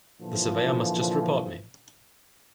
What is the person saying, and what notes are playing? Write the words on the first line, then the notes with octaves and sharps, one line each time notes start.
The Surveyor must just report me.
A#2 D3 E3 F3